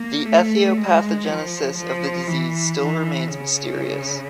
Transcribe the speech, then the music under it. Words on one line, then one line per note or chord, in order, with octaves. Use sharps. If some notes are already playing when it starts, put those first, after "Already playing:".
The ethiopathogenesis of the disease still remains mysterious.
Already playing: A#3
A3
G#3
F3
F3
E3
E3
C#3